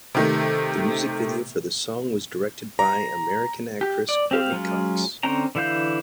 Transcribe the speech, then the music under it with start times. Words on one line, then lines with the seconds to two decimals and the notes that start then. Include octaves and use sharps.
The music video for the song was directed by American actress Courteney Cox.
0.15 C3 D#3 A3
2.79 A#5
3.81 G4
4.09 D5
4.31 C4 G4 F5
4.52 F#3 G#3 C#4 F4
5.23 D3 C4 C#4 G5 A#5
5.55 D3 E3 E4 F5 G6